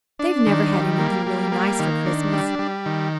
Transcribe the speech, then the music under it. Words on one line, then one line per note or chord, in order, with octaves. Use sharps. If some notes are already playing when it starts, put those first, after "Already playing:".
They've never had anything really nice for Christmas.
D4
D#3
G3
A#3
G3
A#3
D#3
D4
G3
G3
D#3